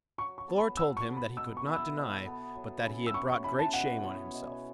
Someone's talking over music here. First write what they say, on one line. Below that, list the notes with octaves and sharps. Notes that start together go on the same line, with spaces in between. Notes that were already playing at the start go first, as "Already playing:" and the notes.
Thor told him that he could not deny but that he had brought great shame on himself.
F#3 C#6
C#6
B3 A4
B5
F#3 E6
C#6
B3 A4
B5
B2 E6
C#6
B3 E4 A4
E6
B2
B3 E4 A4
F#3
C#4 E4 A4
E6
F#3 C#6
C#6
C#4 E4 A4 B5
A5
B2 F#5
B3 E4 C#5
B2